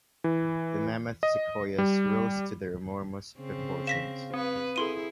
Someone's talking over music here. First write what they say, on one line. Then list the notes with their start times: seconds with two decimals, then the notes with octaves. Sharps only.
The mammoth sequoias rose to their enormous proportions.
0.24 E3
1.23 D#5
1.78 G3
3.40 C#3 C4
3.87 F5 A#6 B6 E7
4.34 C4 B4
4.76 E4 G#4 A4 C6 D#7